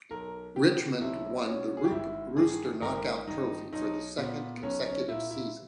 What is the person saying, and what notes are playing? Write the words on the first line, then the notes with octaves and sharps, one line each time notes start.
Richmond won the Roope Rooster knockout trophy for the second consecutive season.
B1 A#4
B2 G4
B1 E4
B2 C#4
G#4
G4
G#1 E4
G2 D#3 G#4
G#1 A#4
G2 D#3 D#4
B1 D#4
A#2 B3
B3
B1 C#4
C#4
A#2 E4
E4